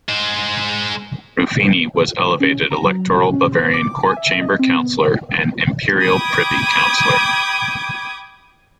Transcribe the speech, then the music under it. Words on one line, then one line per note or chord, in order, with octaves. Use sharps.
Ruffini was elevated Electoral Bavarian Court Chamber Councillor and Imperial Privy Councillor.
G#3 C5
C#4
A#5
F#3
F#4
C#4
C5
D6
G#5
E5
D#5
C4
B3
G5 B5 D6 D#6 G#6